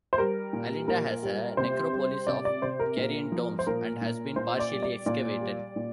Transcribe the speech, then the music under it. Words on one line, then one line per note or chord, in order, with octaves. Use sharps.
Alinda has a necropolis of Carian tombs and has been partially excavated.
C5
G3 A#4
A#2
A#2 A#4
G3
C3 C5
G3
C3 D5
D5
C3 C5
A#4
A#2
F3
C5
A#2 A#4
A#2
A#2 C5
D5
G3
D5
A#2 D5
G3
A#2